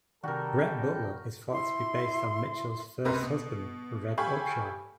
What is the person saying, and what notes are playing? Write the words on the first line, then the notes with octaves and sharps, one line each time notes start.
Rhett Butler is thought to be based on Mitchell's first husband, Red Upshaw.
C3 D#3 G3 F#4 A4 A#4 G5
E4 C6
C#2 C3 A#4 B4 C6
B2
G4 A4 F5 G#5 B5 C#6